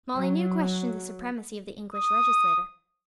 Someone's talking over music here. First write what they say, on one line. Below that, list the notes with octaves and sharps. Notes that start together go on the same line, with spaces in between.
Molyneux questioned the supremacy of the English legislature.
F#3
D#6